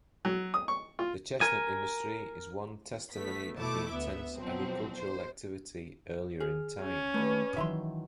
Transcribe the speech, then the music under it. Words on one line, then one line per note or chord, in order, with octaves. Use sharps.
The chestnut industry is one testimony of the intense agricultural activity earlier in time.
F#3
D#6
C#6
F4
A#4 G#5
A3 B3 B6
B2 A3 E4 A5 D6
D2 B3 E5
B2 F3 F#3 C4
C5
G#4 F6
C#4
D#2 A3 B4 D5 C#6
D#3 E3 F#3 E5 B5 C6